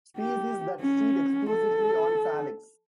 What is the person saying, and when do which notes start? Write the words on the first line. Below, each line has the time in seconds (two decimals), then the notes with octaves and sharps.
Species that feed exclusively on "Salix".
0.18 G4
0.81 C#4
1.50 A4